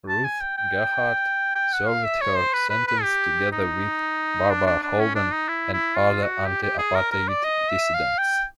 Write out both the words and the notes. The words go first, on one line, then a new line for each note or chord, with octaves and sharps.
Ruth Gerhardt served her sentence together with Barbara Hogan and other anti-apartheid dissidents.
A5
G#5
G5
G5
G5
F#5
F5
E5
C#5
C5
B4
B4
B4
G4
D#4
D4
D4
D4
C#4
D4
D#4
E4
E4
F4
F#4
G4
G4
G#4
A#4
A#4
D5
D#5
E5
F5
G5